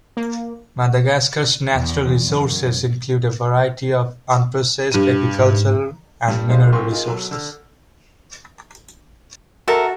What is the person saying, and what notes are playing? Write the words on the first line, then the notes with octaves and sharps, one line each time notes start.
Madagascar's natural resources include a variety of unprocessed agricultural and mineral resources.
A#3
E2
F#2
G2 D#7
G#2
G2 G3
G3 G#3 D#4 C5 F5
B1 C4 A#4 C6 C#6
D#4 F4 G#4 A#4 D#5
B2 F#3 A4
D3 E6 F6
F#4 A4 A#4 E5